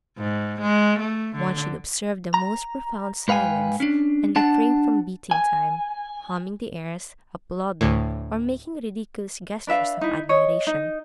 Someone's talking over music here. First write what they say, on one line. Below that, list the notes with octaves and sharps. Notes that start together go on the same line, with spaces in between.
One should observe the most profound silence, and refrain from beating time, humming the airs, applauding, or making ridiculous gestures of admiration.
G#2
G#3
A3
D3
A#5
G#2 B4 F5 G5 G#5
C#4 D4
D4 F#5 A5
G#5
D2 A2
D4 B4 E5 F5
D#4 E4
C#5 D#5
D#4